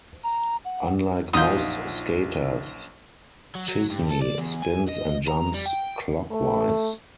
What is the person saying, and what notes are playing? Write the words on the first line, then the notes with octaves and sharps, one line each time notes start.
Unlike most skaters, Czisny spins and jumps clockwise.
A#5
F#5
A#1 F#2 D#4 F4 F#5 D#6 G6
F#3
F#3
G2
A4
D5
E2
G#5
D#5
A#5
G3
G5
A3